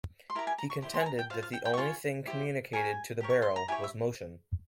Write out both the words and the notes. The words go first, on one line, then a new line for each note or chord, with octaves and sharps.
He contended that the only thing communicated to the barrel was motion.
C6
E4 G4 A#4 A#5
G#5
A#5
C#6
E4 G4 C5 C6
C6
G#5
A#5
G5
F4 G#4 C5 F5
F5
G5
G5
C#6
F4 G#4 C#5 C6
E4 G4 C5
G4 A#4 C#5 G#5
G4 A#4 C#5
C#6
C6
A#5
E4 G4 C#5 G#5
E5